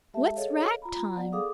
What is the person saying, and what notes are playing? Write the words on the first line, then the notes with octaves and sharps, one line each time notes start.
"What's rag-time?"
G#3 G4 A4 E5 A5
G#4 A4 C#5 D#5 F5
F4 A#5 B5
B3 D5 F#5
G#4 A4 F5 D6 D#6